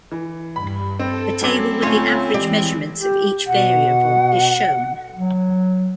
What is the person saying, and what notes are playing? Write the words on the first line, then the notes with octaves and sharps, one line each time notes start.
A table with the average measurements of each variable is shown.
E3
G2 B5
C4 A4 A5
F#3 C4 C#4 E4 D6
D2 A3 C#4 F4 C#5
E3 G#3 G4 D5
G4
B2 F#5
F#3